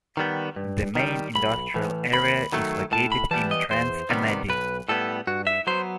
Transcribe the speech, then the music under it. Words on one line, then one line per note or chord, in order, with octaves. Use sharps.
The main industrial area is located in Trans Amadi.
D#3 G3 B3
G2
D#3 G3
B1 B5
A2 E3
D#2 B5
D#3 F#3 A3
A2 A5
B5
E3 G3 B3 A5
D#5
E2 C5
C3 D#3 G3 B3
B1 B4
A2 G3 B3 A4
G2 F#4
E5
F#3 B3 C5